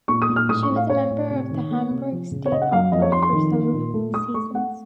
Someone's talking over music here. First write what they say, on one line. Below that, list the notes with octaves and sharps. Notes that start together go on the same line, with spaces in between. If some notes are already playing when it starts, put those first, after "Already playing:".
She was a member of the Hamburg State Opera for several seasons.
A#2 C#6
D#6
A#2
F6
A2 D#6
C#6
A2
F5
A2 C#5
A2
C3
D#3
A#3
C3
F3
C#3
C#5
C#3 D#5
F#5
F#2 F5
F2 D#5
C#5
F2 C6
C6
D#3
A#3
A#2
A3
A3 D#6
A3 C#6
A3 F#5